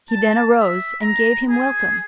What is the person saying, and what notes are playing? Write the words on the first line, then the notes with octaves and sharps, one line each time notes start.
He then arose, and gave him welcome.
A5
E5
A#5
G#4